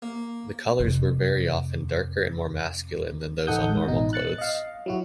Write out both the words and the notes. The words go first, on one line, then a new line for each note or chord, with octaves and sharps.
The colours were very often darker and more masculine than those on normal clothes.
A#3
F2 C3
A1 D#4 A4 F#5 D#6 G6
G#2
A1 B2 D#4
F#6 A6 C#7
D#5 F5
F#3 E4 F#4